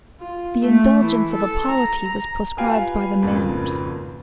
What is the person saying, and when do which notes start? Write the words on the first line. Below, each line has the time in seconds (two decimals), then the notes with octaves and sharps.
The indulgence of the polity was proscribed by the manners.
0.20 F4
0.63 A3
1.00 E3
1.32 A4
1.68 A#5
2.58 F4 G4 B4 F5 G5 G#5
3.22 G#1 F2 C#3 A#3 B4